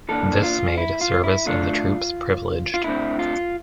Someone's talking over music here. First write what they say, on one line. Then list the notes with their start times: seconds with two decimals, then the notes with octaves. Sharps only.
This made service in the troops privileged.
0.09 E3 A#3 D4 A4
0.43 F4
0.78 E4
1.01 F4
1.24 E4
1.46 D3 A3 D4 F4
2.74 F4
2.84 D3 A3 C4 E4
3.19 F4